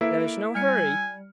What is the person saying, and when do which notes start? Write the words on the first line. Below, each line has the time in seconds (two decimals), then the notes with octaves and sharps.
There is no hurry.
0.01 A#3 E4 A4 B4 D7
0.55 G3 G#5 F6 C#7